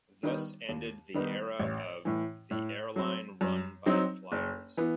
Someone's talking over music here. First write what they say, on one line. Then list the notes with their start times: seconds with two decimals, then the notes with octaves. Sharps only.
Thus ended the era of "The Airline Run by Flyers".
0.23 D#3 G3 B3 D#4
0.69 D#2
1.14 D#3 G3 B3 D#4
1.59 A1
2.05 A2 E3
2.51 A2
2.96 F#3 C4
3.41 F#2
3.86 F#3 C4 D#4
4.32 F#1
4.77 E3 B3